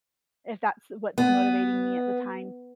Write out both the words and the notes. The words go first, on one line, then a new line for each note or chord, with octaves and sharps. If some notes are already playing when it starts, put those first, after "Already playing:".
if that's what's motivating me at the time.
B3